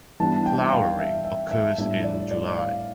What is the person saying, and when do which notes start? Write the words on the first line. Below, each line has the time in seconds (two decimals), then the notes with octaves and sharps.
Flowering occurs in July.
0.20 E3 G3 B3 D4 A5
0.46 G5
0.72 F5
0.99 E5
1.25 E5
1.51 E5
1.78 A2 G3 D4 E5
2.04 D5
2.31 D5
2.58 F5